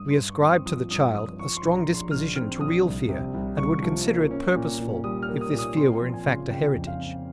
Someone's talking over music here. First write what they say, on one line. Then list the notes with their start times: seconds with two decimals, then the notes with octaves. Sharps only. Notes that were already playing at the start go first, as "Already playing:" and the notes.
We ascribe to the child a strong disposition to real fear and would consider it purposeful if this fear were in fact a heritage.
Already playing: G2 D#6
0.11 C6
0.17 G2
0.30 C#6
0.42 C4
0.48 D#6
0.66 F3 D#6
0.91 G2 D#6
1.14 F3 D#6
1.39 F3 C#6
1.57 C6
1.63 A#1
1.75 A#5
1.88 A#1
1.94 C6
2.11 A#1 F6
2.36 C4 F6
2.60 A#1 D#6
2.85 C2
3.09 C3
3.34 C2
3.58 C2 C#6
3.82 F3
4.07 A#3
4.31 C#4
4.55 A#2
4.79 A#2
5.04 G3 D#6
5.23 F6
5.29 A#3
5.41 D#6
5.53 A#2
5.59 D#6
5.77 C4 C6
6.02 F3
6.14 G#5
6.26 C#3
6.50 C#3 G5
6.74 F2
6.87 F5
6.99 C4